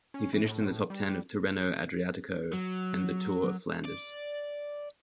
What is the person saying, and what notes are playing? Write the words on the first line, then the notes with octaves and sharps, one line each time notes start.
He finished in the top ten of Tirreno-Adriatico and the Tour of Flanders.
C#4
E3
A2
A2
G3
F#3
D5